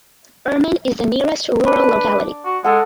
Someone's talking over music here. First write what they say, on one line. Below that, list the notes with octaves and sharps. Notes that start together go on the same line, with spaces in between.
Urman is the nearest rural locality.
D4 B4
D6
F#4
G#3 A4 F#5